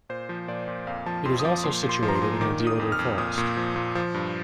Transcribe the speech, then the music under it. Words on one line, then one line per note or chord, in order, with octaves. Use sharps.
It is also situated in a deodar forest.
A#2 C5
F3
A#2 D5
A#2
F2 F5
F3 A5
F2 C6
D#6
F3 D6
A#2 C6
A#2
C6
F3
A#5
C6
A#2
D#3 D6
D#3
D#6
F2
F6
F2
A#2 D#6
A#2
F3
A#2
F3
G2